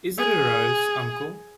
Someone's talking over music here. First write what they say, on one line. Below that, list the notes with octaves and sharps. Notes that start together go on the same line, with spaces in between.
Is it a rose, uncle?
G#4